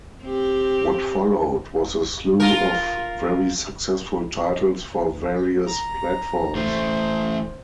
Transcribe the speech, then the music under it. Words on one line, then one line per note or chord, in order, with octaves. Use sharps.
What followed was a slew of very successful titles for various platforms.
C4 G4
F4 A#4
A#5
E3 A3 C5